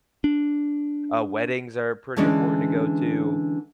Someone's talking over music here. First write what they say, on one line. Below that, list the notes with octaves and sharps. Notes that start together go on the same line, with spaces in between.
uh, weddings are pretty important to go to.
D4
D3 E3 G#3 C#4 D4